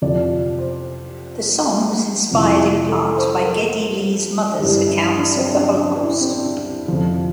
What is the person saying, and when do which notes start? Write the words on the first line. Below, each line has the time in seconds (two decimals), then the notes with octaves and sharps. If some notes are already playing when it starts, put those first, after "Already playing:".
The song was inspired in part by Geddy Lee's mother's accounts of the Holocaust.
0.02 F2 C3 F3 D5
0.59 C5
2.31 F2 C3 E3
2.89 A4
3.17 C5
3.45 A#4
4.59 G2 E3 G4
4.88 E4
5.17 D4
5.37 C4
5.55 D4
5.75 D4
6.03 E4
6.11 D4
6.21 C4
6.29 D4
6.88 F2 C3 F3